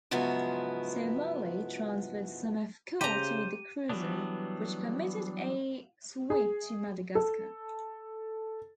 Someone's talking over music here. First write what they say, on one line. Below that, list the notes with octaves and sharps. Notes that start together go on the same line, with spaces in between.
"Somali" transferred some of coal to the cruiser, which permitted a sweep to Madagascar.
G#2 C#3 F3 F#3 B3 E4
C#3 G4 C5 A#5 D#7
E3 F#3 G3 B3 D4
G#4
A4